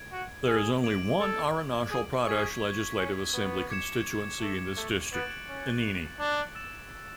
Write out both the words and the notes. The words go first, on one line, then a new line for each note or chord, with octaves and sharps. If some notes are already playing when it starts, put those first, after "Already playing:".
There is only one Arunachal Pradesh Legislative Assembly constituency in this district: Anini.
Already playing: G#6 D7
F#4
G#4
D6 G#6 D7 F#7
A4
G#4
G#4 C#6 G#6 B6
C#4
B3
D6 G#6 C#7 E7
A3
A3
B3 F#6 A6 D7 F#7
C#4
D4
E6 A6 E7